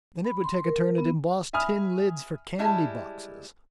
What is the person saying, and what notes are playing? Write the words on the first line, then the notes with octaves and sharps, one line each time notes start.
Then it would take a turn at embossed tin lids for candy boxes.
B5
C6
A#4
B3
E5 G#5 B5 D#6 F6
G3 G#3 E4 A5